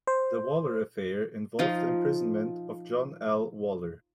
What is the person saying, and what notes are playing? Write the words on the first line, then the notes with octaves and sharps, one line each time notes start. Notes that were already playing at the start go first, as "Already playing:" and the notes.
The Waller Affair involved the imprisonment of John L. Waller.
C5
F3 D#4 F4